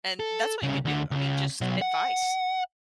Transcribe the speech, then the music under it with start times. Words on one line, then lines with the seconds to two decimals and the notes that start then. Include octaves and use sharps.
and, that's all you can do, I mean, just advice.
0.20 A4
0.63 C2 C#3
0.85 D2 D3
1.11 C#2 C#3
1.61 B2 F#3
1.81 F#5